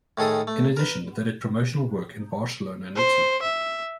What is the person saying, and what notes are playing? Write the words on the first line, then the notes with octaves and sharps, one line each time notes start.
In addition, they did promotional work in Barcelona and Italy.
A2 D#3 G#4 A4 D#6
A3
A#4 B4
C5
E5